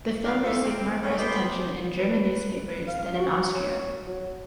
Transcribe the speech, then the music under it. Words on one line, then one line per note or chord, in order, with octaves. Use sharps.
The film received more press attention in German newspapers than in Austria.
F2 D#3 D4 G4 F5
D2 A2 F4 A4 E5 F5
D#3 F3 A#3 C4
A2 A3 C#4 D4 C#5 D#5
A3 B3 G4 B4 C5
B4
B4
F5
F#4
C#5
F#3